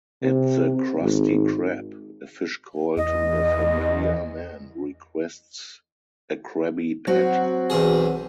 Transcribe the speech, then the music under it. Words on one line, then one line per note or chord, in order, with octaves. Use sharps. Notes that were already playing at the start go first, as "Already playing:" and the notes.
At the Krusty Krab, a fish called the Familiar Man requests a Krabby Patty.
C3
G#1
E2 D#5
F#3 C4 F#4
B1 E2 G#4